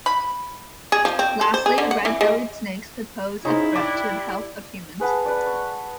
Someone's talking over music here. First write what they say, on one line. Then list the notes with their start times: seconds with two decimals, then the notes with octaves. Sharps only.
Lastly, red-bellied snakes could pose a threat to the health of humans.
0.06 B5
0.92 G#4
1.05 F3
1.19 C4
1.41 A4
1.54 C5
1.66 G#4
1.78 D3
1.91 F#5
2.05 E3
2.21 G#3
3.45 C#3 D#4 E4 G#4 C5
3.76 D4 G4 D6
5.00 G#4 B4 F#5 A5
5.25 B4 D5
5.46 C#6